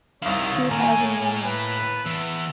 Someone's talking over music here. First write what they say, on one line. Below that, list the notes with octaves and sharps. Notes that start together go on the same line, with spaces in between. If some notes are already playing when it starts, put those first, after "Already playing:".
Two Thousand Maniacs!
C2 D#3 E4 C#5 F5
A2 A3 A#3 C#5 G#5
B4 A5
E2 E5